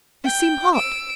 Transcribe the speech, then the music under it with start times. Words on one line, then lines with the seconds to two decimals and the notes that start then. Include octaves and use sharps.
"You seem hot."
0.24 G5
0.75 E6 D7